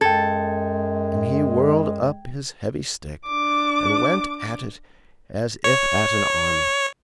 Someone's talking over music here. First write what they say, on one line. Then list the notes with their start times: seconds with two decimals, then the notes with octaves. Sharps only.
And he whirled up his heavy stick and went at it as if at an army.
0.01 F#2 G#3 A4 G5 G#6
3.26 D4 D6
5.64 C#5